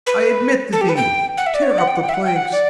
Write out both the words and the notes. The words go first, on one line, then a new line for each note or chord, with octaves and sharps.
I admit the deed!--tear up the planks!
B4
A4
G4
B4
G5
F#5
E5
D5
C#5
D5
F#5
G5
F#5
G5
E5
F#5
G5
F#5
D5